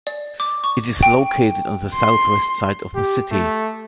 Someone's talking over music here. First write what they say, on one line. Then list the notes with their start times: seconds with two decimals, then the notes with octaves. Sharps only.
It is located on the southwest side of the city.
0.07 D5
0.40 D6
0.64 C#6
1.03 G5
1.94 C6
2.95 G4
3.31 A3